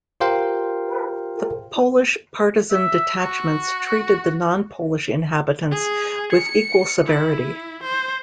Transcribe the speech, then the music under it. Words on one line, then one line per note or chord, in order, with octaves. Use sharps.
The Polish partisan detachments treated the non-Polish inhabitants with equal severity.
F4 G4 A#4 C5 F5 G5
E5
F#4
G#4
C#7
E4
C5